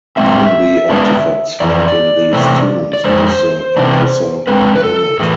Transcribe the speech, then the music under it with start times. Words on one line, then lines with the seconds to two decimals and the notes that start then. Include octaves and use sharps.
Among the artifacts found in these tombs was the Emesa helmet.
0.17 A2 G#3 C4 E5
0.90 D3 G#3 B3 D4
1.60 F2 E3 D5
2.33 C3 E3 A3 C4
2.93 D5
3.04 F2 D3 G#3 C5
3.77 C3 E3 B3 D4
4.47 D3 G#3 C4 B4
4.75 B4
4.84 A4
5.20 A2 E3 G#4